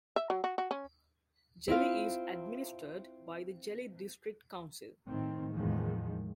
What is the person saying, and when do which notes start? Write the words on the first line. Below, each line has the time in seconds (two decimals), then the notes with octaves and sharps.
Jeli is administered by the Jeli District Council.
0.16 E5
0.30 F#3
0.44 F#4
0.58 F#4
0.71 C#4
1.68 C4 E4 F4 F5
5.08 A2 D#3 C4
5.54 E2 A2 D#3 F3 G#3